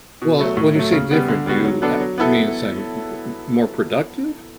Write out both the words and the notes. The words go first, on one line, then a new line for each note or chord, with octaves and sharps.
Well, when you say "different," do you, ah means, "I'm m m m more productive?"
B2
F#3 A3
A2
F#3 A3
C#3
G3 B3
D3
G3 B3 F#4
F#3
B3 D4 A4
F#3
B3 E4 A4